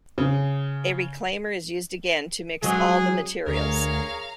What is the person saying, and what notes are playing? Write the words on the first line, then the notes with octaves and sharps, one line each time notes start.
A reclaimer is used again to mix all the materials.
C#3
F#2 F#3 G#3 G#4
D2 G#4 A#4 C#5 F5 A#5